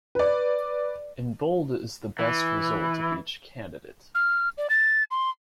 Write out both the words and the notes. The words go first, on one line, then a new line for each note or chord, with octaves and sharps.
In bold is the best result of each candidate.
B4 D5
E3
F6
D5
A6
C6